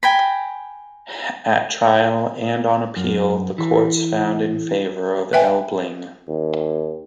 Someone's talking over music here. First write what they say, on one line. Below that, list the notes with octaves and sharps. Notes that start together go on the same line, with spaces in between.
At trial and on appeal, the courts found in favour of Elbling.
G5 G#5 A#5 B5
F#2
E3
B4 E5 G5 G#5
D#2